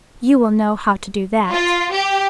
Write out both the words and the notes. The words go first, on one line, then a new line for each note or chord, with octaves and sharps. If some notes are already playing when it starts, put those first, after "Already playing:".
You will know how to do that.
F4
G4